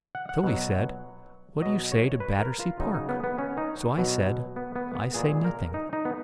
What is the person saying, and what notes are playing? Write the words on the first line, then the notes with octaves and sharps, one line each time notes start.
So he said, 'What do you say to Battersea Park?' So I said, 'I say nothing.
F#5
F#5
B2 F#3
B2 F#3 D#5
C#5
B4
A#4
F4
C#3 F#3 D#4
D#4
B3
B3
C#4
D#4
B2 F#3
B3
B3
B3
A#2 G#3 G#4
A#4
D#4
D#4
B3